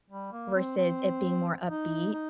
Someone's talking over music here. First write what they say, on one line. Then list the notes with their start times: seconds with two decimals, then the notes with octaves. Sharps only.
versus it being more upbeat,
0.10 G3
0.32 A#3
0.55 C4
0.78 C4
1.68 D#4
2.13 D#4